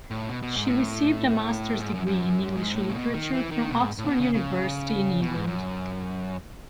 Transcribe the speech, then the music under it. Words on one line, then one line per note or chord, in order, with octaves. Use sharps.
She received a master's degree in English literature from Oxford University in England.
A2
B2
B2
G#2
A2
G#2
F#2
F#2
G#2
A2
C#3
B2
D#3
E3
D#3
B2
G#2
A2
C#3
B2
C#3
C#3
B2
G#2
F#2